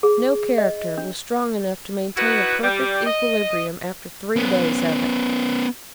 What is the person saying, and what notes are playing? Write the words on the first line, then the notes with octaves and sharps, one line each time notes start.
No character was strong enough to maintain a perfect equilibrium after three days of it.
G#4
D#5
D4
B3 D#4 E4 F#4 B4 F#5
G3
D#5
B3 C#4